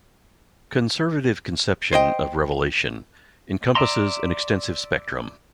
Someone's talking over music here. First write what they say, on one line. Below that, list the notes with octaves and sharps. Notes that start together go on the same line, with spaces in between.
Conservative conception of Revelation encompasses an extensive spectrum.
C5 D#5 G5
D5 E5 A#5 C6